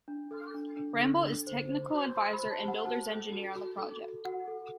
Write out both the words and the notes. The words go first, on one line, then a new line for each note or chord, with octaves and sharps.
Ramboll is technical advisor and builder's enigineer on the project.
D4
A4
D4
D4
A4
D4
C5
C5
F#4
C5 C6
B5
C5
A5
G4
F#5
F#4 A5
A4
F#4
F#4
A4
F#4
F#4 F#5
A4